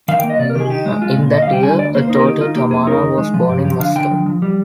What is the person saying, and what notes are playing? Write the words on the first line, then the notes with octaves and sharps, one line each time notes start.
In that year, a daughter, Tamara, was born in Moscow.
D#3 F5
G5
A#3
D#5
C3 D5
A#4
D#3 G4
G#4
D#4 G4
G#3
G#3 F4
A#2
D2 D#5
F5
G3
G5
D3 G#5
D2 D5
A#3 C5
C5
D#4
A#4
G#4
D#3 G4
D#4 F4
A#3 G4
F2 G#4
D#4 A#4
D#3
G#3
F3
G2 G4
F3 G4
D3 F5
D3 G5
F3
F3
G3